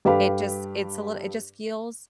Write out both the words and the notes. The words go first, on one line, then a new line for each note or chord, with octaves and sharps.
It just it's a littl it just feels
G2 G4 A4 B4 F5 B5